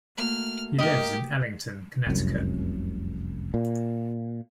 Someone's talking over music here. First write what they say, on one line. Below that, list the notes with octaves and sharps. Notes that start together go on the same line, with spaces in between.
He lives in Ellington, Connecticut.
A3 A#3 F#4 F6
A#3 G4 D#5 D#6
F1 C2 F#2
A#2